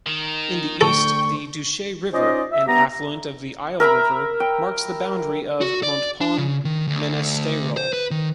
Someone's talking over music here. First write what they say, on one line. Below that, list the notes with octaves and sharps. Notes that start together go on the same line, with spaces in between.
In the East, the Duche River, an affluent of the Isle River, marks the boundary of Montpon-Ménestérol.
D#3
D2 A4 G5 C#6
C#4 D#4 F4 C5 D5 D#5
E5
G2 B3 G4 E5 A#5
A#4 E5 A#5 B5
G5
F#4
D5
D4
C#3
D#3
D2
C5
B4
D#3